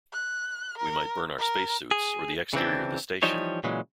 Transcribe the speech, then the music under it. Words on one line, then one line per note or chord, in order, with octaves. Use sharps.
We might burn our spacesuits or the exterior of the station.
F#6
A#4
A#4
G#4
C#3 E3 C4 D4
E3 F3 G3 D#4 C#5
A#2 C#3 E3 F#3 G#3